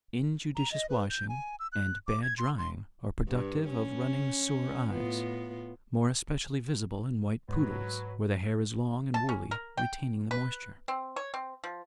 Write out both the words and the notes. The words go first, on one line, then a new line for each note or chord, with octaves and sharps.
Injudicious washing and bad drying are productive of running sore eyes, more especially visible in white poodles, where the hair is long and woolly, retaining the moisture.
A#5
D#5
B4
G6
G#5
E6
F#6
D6
G#6
C6
C6
G2
C#4
A2 B3 F4
G#2 F#3 B4
A5
C#4
A#4
G5
B4
C4
C#5
C4
F3